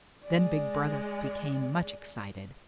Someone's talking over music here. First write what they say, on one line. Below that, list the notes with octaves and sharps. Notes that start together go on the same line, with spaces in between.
Then Big Brother became much excited.
G#3 D5